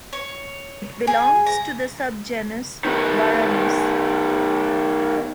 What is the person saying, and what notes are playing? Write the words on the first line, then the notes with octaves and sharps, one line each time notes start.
It belongs to the subgenus "Varanus".
C#5
G#4
A#5
D#3 B3